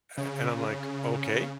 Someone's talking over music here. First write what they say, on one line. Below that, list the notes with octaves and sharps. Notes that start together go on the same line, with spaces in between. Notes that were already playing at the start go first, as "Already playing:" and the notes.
Eh a and I'm like, "Okay.
C#3